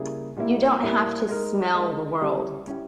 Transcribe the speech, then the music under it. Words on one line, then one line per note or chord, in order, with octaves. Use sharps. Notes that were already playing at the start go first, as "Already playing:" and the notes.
You don't have to smell the world!
Already playing: C#3 G3 A#3 E4 G#4
A#2 G3 A#3 E4
A#2 G3 A#3 E4
G#3 D#4 A#4
G#3 D#4 A#4
G3 C#4 E4 G4
G3 C#4 E4 G4